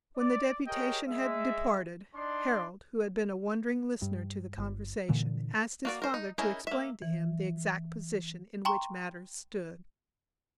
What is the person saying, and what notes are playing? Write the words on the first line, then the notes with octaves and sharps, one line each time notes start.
When the deputation had departed Harold, who had been a wondering listener to the conversation, asked his father to explain to him the exact position in which matters stood.
D5
G4 G#4 A#4 C#5 D#5 G5
G#3 E5
D4 D#4 D5 C6
G2
G1
A#2 D3 E3
A#3 F#4 D5
A#4 C5
D#4
C#4 D#4 E4 G#4 A#4
A#3 E5
E3
G5 A#5 C6 C#6